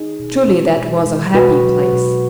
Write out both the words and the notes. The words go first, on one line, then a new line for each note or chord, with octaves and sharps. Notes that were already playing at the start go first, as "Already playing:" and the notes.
Truly that was a happy place.
Already playing: D#4 G#4
B2
G#3
B2
G#3
B2 F#4 B4
F#3
B2